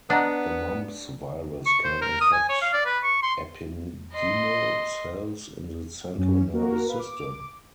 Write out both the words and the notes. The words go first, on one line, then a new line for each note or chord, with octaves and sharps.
The mumps virus can infect ependymal cells in the central nervous system.
B3 D4 D#5 F#5 A#5
C#6
C5
A#4
D#6
G#5
C#5
F5
D5
B4
C#6
C6
D#5 C6
F#2 F#3 C#4
A#3 F#4 A#4
B4 F5
D6